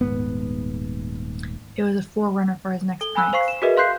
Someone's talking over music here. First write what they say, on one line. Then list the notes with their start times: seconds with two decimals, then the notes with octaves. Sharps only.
It was a forerunner for his next pranks.
0.01 D#1 G#2 B3
3.01 A4 G7
3.15 G#5 B5 E6 F#6
3.33 C5 F5 C#6 C7
3.48 E7
3.62 F#4 G#4 A#4 B4 D#5 E5
3.77 F5 C6 F#6 G6 C7